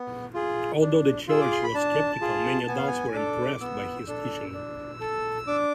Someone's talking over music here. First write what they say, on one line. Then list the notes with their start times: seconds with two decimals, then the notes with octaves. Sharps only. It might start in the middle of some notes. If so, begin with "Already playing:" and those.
Although the Church was skeptical, many adults were impressed by his teaching.
Already playing: B3
0.34 F4 G#4
0.81 D4
1.28 F4 G#4 E6
1.41 D6
1.52 C6
1.63 B5
1.74 D4 A5
2.21 F4 G#4
2.68 B3 G#5
2.77 F5
2.88 G#5
3.14 D4 A4 D6
3.61 B3 E6
4.07 D4 A4
4.54 D4
5.01 A4
5.47 D4 D6